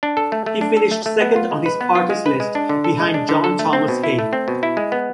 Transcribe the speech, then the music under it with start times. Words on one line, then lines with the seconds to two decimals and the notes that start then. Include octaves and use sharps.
He finished second on his party's list, behind John Thomas Haig.
0.03 D4
0.17 A4
0.32 A3
0.46 A3
0.61 D4
0.77 A4
0.91 A3
1.06 A3
1.21 B3
1.36 F4
1.51 G#3
1.66 B4
1.81 B3
1.95 F4
2.10 G#3
2.26 B4
2.40 G#3
2.55 D4
2.69 D3
2.84 A4
3.00 G#3
3.14 D4
3.29 D3
3.44 A4
3.59 A3
3.73 C4
3.88 B2
4.04 E4
4.19 A3
4.33 C4
4.48 B2
4.63 E4
4.77 G#3
4.92 B3